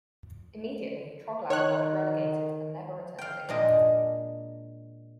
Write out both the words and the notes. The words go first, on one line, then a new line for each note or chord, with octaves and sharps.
Immediately, Troglav got relegated and never returned again.
D#3 C#5 F#6
F5 G5
A#2 G#3 D4 D#5